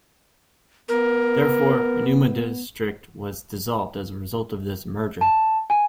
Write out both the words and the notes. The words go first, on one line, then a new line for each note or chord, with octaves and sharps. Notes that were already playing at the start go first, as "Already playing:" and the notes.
Therefore, Enuma District was dissolved as a result of this merger.
B3 A#4
A5
G#5